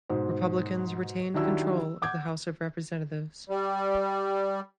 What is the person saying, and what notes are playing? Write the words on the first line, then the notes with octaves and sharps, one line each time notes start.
Republicans retained control of the house of representatives.
G#2 B2 C5
D#3 F#3 D4 E4 G4 E6
F#5 D6 G6 G#6
G3